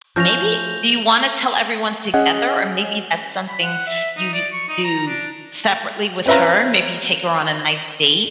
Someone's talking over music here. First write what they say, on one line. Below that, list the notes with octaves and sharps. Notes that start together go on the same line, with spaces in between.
maybe do you wanna tell everyone together or maybe that's something you you do separately with her? Maybe you take her on a nice date?
F3 A3 C#4 G6 A#6 F7
C#4 G#4 C#5 D#5 F#5
B5
F#5
E5
D#4
D5
C#6
D#4
A#5
D4
C4 C#4 B4 E5 F5 A#5